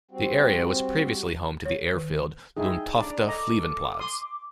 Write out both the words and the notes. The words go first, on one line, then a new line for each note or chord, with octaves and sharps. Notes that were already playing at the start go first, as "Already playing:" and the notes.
The area was previously home to the airfield Lundtofte Flyveplads.
G3 C4 F#4
C#5
D#3
D#4 E4 G#4 G5
D4 D5 A#5
A4 D#5 A#5 D6
C6 D#6